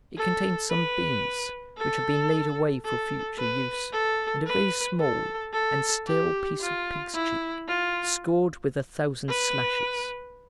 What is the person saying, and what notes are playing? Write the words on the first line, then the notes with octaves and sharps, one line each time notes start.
It contained some beans which had been laid away for future use, and a very small and stale piece of pig's cheek, scored with a thousand slashes.
A4
B4
A4
A4
B4
A4
B4
A4
A4
G4
F4
E4
F4
B4